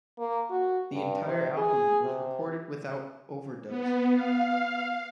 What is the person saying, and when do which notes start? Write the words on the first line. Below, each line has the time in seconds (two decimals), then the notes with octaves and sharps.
The entire album was recorded without overdubs.
0.18 A#3
0.50 F#4
0.93 G2
1.25 C3
1.57 G#4
2.05 C3
3.67 B3
4.11 F5